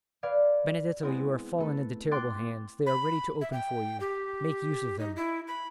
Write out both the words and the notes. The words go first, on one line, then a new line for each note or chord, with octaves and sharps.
Benedetto, you are fallen into terrible hands; they are ready to open for you--make use of them.
B4 D5 F5 G#6
G#3 B3 C4 E4
A3 A4 B4
G5 C6 D6 F#6 G6 A6
B5
E5
G5
G4
D#4
E4
B5